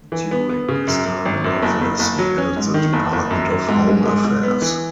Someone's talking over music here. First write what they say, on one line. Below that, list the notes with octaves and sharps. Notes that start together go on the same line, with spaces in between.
During his time in office he held the Department of Home Affairs.
E3
B3
B3
C#3
F#2
F#2
G#1
F#2
F#1
F#1
F#1
F#3
C#4
G#2
D#3
F#1
F#1
F#2
F#2
G#2
G#3
G#2
G#2
B3
E3